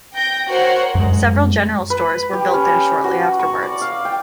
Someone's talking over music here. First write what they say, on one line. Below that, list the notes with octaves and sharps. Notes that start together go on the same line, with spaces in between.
Several general stores were built there shortly afterwards.
G5 G6 A#6
F#4 A#4 C5 C#5 F#5
F#2 G#3
B4
G4
C#4
F#4
C#6
D5
F5
G5